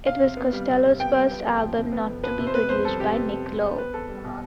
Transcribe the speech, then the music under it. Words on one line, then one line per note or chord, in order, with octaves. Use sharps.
It was Costello's first album not to be produced by Nick Lowe.
C3 F5
C3
B3
G3
C3
C3
B3 G5
G3
B3
F2
F3
C3
B3
F2
F3 B4
C3
C5
B3 B4
F2 C5
G3 A4
C3 G4
B3
F2
G3
C3
B3 B4
E2 A4
G3
B2